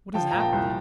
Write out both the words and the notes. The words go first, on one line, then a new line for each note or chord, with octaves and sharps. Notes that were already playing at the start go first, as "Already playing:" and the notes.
What has happened?
F3 G5 A5
A#2 A#5
G5 A5
C2